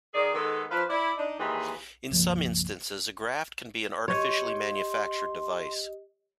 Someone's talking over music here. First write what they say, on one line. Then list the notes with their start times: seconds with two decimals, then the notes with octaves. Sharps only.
In some instances a graft can be an artificially manufactured device.
0.14 D#3 G#4 D5
0.34 D#3 G#3 B3 A4
0.70 F3 D4 B4 C5 F5
0.89 E4 D5
1.18 D4 D#4
1.39 D#2 A#2 E3 G#3 G4 G#4
2.11 C#2 G2 F3 A#3
4.08 G4 C#5 D#5 C6